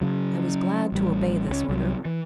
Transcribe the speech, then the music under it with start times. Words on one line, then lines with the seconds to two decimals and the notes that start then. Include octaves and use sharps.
I was glad to obey this order.
0.01 C#3 F#3
0.92 A1 G3
1.49 C#2 G3 C#4
1.68 C2 F#3
2.05 E3